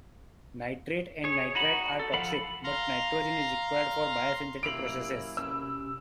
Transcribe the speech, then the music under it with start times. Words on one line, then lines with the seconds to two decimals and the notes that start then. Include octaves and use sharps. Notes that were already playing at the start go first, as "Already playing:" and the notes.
Nitrate and nitrite are toxic, but nitrogen is required for biosynthetic processes.
1.24 G#4 C#5
1.55 D#4 F#4 B5
2.00 A4
2.13 F3 A4 F5 F#5 B5
2.64 F5 A#5 C6
4.63 F#2 C3 A#3 E4 E6 D7 F7 F#7
5.37 C3 C#4 E6